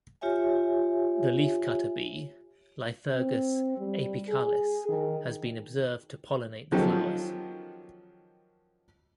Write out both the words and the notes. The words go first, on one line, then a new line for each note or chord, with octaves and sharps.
The leafcutter bee "Lithurgus apicalis" has been observed to pollinate the flowers.
F4 G4 C#5 E5 G#5
C4
G3
G#4
D#3
D#3 F3 F#3 C#4 G4 A4